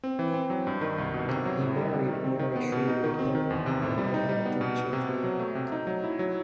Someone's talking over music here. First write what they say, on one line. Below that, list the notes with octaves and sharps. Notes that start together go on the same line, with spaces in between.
He married Mary Sherwood Hedrick and they had three children.
C4
E3
C4
F#3
G2
D#3
C2
B2
C3
F#3
A2
G3
C3
D#3
C4
D#3
B3
B2
D#4
D#3
C4
D#3
E2
C3
A2
G3
D#4
G3
B3
B2
B3
C3
B2
F#3
A3
C3
D#4
F#3
E4
F#3